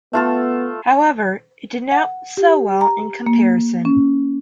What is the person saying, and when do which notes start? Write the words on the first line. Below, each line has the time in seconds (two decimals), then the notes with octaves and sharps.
However, it did not sell well in comparison.
0.13 A3 B3 F4 A4
1.91 F#5
2.37 G4
2.81 A#5
3.26 A#3
3.85 C#4